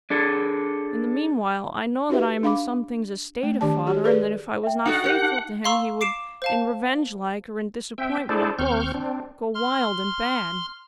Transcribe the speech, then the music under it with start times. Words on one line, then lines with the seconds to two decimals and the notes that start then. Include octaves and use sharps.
In the meanwhile I know that I am in some things a stay to father, and that if I was not faithful to him he would--in revenge-like, or in disappointment, or both--go wild and bad.'
0.10 D4 G#4 A4
2.10 D#4 F#4 G4 B4 E5
2.43 D4 F5 B5 D6
3.43 A3
3.61 D#3 D4 G4 D5 A5
3.87 F#4 G4 C#5
4.04 G#4 A4 B4 D5
4.63 E5 G5
4.86 D#4 F#4 A4 F#5
5.04 G4 A#4
5.22 D#4 F#4
5.64 F5 A#5 C6 C#6 E6
6.01 D6 C7 D7 E7
6.42 C5 F5 A5
7.98 C4 E5 G5
8.29 D4 E4 G#4 A4 C5 D5
8.59 D#2 C4 C#6 F6 G6
8.94 C4 D4
9.54 C6 F6